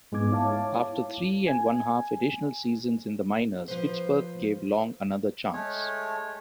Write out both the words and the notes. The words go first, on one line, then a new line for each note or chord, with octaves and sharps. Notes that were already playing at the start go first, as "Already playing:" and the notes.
After three and one-half additional seasons in the minors, Pittsburgh gave Long another chance.
G#2 G#3 B3 D#4 D6 G#6
E4 C#5 F5 A5 D6
G#5 G#6
F3 B4 C5
G#3 A3 C#5